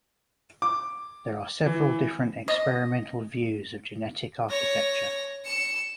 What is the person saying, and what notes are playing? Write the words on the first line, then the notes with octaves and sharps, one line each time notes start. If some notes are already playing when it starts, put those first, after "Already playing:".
There are several different experimental views of genetic architecture.
D6
E3
D#5
C#5 A#6
C#7 E7